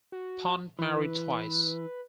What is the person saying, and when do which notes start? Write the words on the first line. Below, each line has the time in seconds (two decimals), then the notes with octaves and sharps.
Ponet married twice.
0.12 F#4
0.79 E3 B4